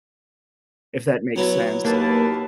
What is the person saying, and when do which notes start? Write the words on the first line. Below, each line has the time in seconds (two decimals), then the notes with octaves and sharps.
if that makes sense.
1.36 F#3 B3 E4
1.85 D#2 A#3 B4 A5